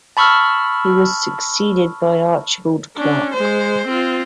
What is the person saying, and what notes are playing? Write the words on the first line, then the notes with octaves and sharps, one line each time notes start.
He was succeeded by Archibald Clark.
A5 B5 C#6 E6 F6
C#4 D4
G#3 C5
C4 F4